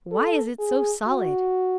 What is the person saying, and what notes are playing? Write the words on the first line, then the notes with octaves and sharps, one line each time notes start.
Why is it so solid?
A4
G#4
F#4